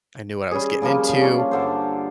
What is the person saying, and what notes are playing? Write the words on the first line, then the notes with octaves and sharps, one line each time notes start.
I knew what I was getting into.
G3 C#4 G#4
C#3 F3 G3 A#3
C#4 D4 F4
G2 D3 C5